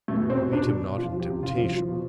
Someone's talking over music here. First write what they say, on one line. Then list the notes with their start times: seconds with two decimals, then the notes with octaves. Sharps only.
Lead him not into temptation.
0.08 B2 A3
0.23 B2
0.30 C4
0.37 B2
0.53 B2 D4
0.68 B2
0.83 B2
0.98 F3 F4
1.13 F3
1.20 G4
1.28 C3
1.42 C3 F4
1.57 F3
1.73 F3
1.88 B2